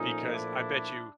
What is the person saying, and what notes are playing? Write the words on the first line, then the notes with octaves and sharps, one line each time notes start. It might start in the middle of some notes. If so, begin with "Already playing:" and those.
Because, I bet you,
Already playing: A#2 F3 A3 C#4 D#4
D4 E4